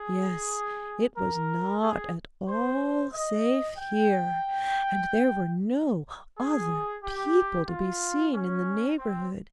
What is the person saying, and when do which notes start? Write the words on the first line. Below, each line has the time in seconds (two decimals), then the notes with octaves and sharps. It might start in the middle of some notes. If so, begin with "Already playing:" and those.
Yes, it was not at all safe here, and there were no other people to be seen in the neighbourhood.
Already playing: G#4
1.18 A#4
1.82 G#4
2.48 C5
3.13 D#5
3.78 G5
6.39 G#4
7.04 G4
7.69 F4
8.34 C#4
8.99 C4